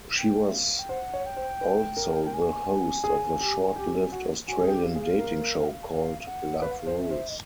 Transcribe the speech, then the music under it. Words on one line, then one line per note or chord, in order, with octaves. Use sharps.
She was also the host of a short-lived Australian dating show called "Love Rules".
G5
E5
F5
G5
C5 F#5
C#5
G5
C5
B4
A#4
G5
G#5
G#4
G4
G4
F#4
F#4 G#5
G#4
G5
G4
F5
G#4
F5
A#4
F5
F5
F#5
B4 F5
F#5
F5
C5
E5
C5
D#5